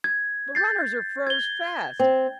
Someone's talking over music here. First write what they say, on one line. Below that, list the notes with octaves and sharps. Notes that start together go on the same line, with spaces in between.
The runners are froze fast.
G#6
G6 A6 C7
G#6 G7
C4